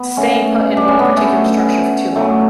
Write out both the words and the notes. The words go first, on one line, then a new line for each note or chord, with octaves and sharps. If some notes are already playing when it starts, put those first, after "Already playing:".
staying put in one particular structure for too long?
Already playing: B3
A3 C#4
D4
C#4
B3 D4
A3 C#4
F#3 A3